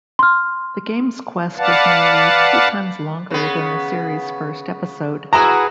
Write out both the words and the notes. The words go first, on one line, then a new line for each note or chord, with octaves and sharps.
The game's quest is nearly two times longer than the series' first episode.
C6 F6
B4 D5 F5 F#5 A5
C#3 B3
E4 F#4 G#4 B4 A#5